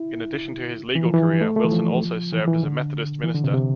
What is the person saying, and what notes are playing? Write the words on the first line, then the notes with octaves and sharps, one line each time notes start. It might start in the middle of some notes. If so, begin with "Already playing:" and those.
In addition to his legal career, Wilson also served as a Methodist minister.
Already playing: E4
E3
F3
E3
A3
A3
E3
F3
E3
E3
D3
E3
D3
C3
C3